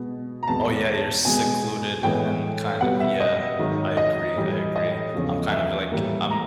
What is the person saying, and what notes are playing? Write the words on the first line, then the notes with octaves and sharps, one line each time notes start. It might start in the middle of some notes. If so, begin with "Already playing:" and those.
Oh, yeah, you're secluded and kind of yeah. I agree, I agree. I'm kind of, like I'm
Already playing: B2 G#3 B3
A#5
E2 B2 G#3 B3 A5
B2 G#3 B3 G#5
A2 E3 G#3 B3 G5
B2 G3 B3 F#5
E5
D#5
G#2 D#3 F#3
D#5
A2 E3 G3
D#5
E2 C#3 F3 A3
E5
A2 E3 G3 A#3
A#5